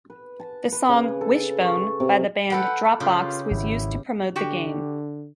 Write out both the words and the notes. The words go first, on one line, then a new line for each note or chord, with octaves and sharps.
The song "Wishbone" by the band Dropbox was used to promote the game.
B4
A5
B4
C#3
A4
C#6
C3
A4 B4 F#5 G5
C#3 F4 G4
G#1 E4
D3 F#4 G4 G5